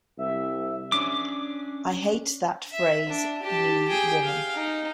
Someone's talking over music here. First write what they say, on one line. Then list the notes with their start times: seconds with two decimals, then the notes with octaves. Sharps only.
I hate that phrase New Woman.
0.18 C2 E5
0.92 C#4 D4 D6
2.72 E5
3.09 D4
3.43 G4 A5
3.88 G#4 G5
4.24 F5
4.55 D#4